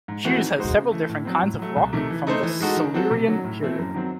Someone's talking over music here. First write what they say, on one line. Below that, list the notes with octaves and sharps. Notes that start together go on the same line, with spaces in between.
Hughes has several different kinds of rock from the Silurian period.
G#2
E3 A3 C4 F#4
D#3
G#3 D#4 F#4 C5
C#3
E3 A3
A2
F#3 C4
A2
F#3 A3
C2
C3 D#3 A3
E3
A3 D#4 A4 C5
E3
G#3 D#4 F#4 A4
D#3
F#3 C4 F#4 A4
C3
D#3 F#3 C#4
A2
E3 A3 C4 E4
F#2
D#3 F#3 C4